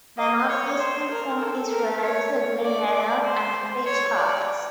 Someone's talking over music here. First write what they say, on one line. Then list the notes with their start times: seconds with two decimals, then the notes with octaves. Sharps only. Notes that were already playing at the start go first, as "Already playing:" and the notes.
The northeastern floor is relatively level and featureless.
0.18 D#5
0.49 C#5
0.79 C5
1.10 A#4
1.41 A4
1.72 A#4
2.02 C#5
2.63 D5
2.94 D5
3.24 C5
3.85 C#5
4.16 D5